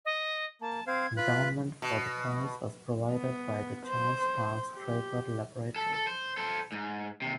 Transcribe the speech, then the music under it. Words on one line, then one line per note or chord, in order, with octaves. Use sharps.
Endowment for the prize was provided by the Charles Stark Draper Laboratory.
D#5
A#3 A5
C4 C5 F5 G#6
F4 B4 F#6 B6
B2
B3
C5
G4
A4
A4
C5
A4 C5
G#2
D#2 C3